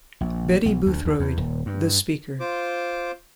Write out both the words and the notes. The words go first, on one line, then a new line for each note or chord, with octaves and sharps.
Betty Boothroyd, the Speaker.
A#1
B1
D2
D2
E2
D#1
G2
F4 C5 D6